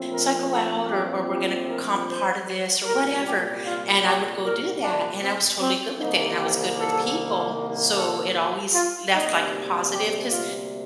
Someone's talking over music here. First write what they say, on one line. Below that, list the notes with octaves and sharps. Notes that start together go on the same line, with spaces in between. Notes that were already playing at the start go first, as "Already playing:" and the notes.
so I go out or or we're gonna comp part of this or whatever, and I would go do that, and I was totally good with it, and I was good with people, so it always left, like, a positive 'cause
Already playing: A#1 A2 F3 C4
A#4
A4
G4
G4
A#4
C5
C2 A#2 G3 A#4
G4
F4
G4
A#4
D4
C4
C4
C2 C3 D#3 A#3 D#4
G4
A4
A#4
A4
F4
D2 C3 G3 A#3 D#4
G4
F4